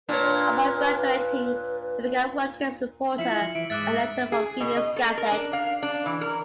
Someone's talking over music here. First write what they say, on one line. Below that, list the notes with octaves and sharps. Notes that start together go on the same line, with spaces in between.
Upon graduating, he began working as a reporter and editor for the "Phoenix Gazette".
A#2 D4 B4 C#5
F3 E4 E5 C#7 F#7
E3 E5 D7
G#2 E5 D6 F#6 A6
G#4
B2
D#5
A4
A#4
D4
F5
D4
E3
A#4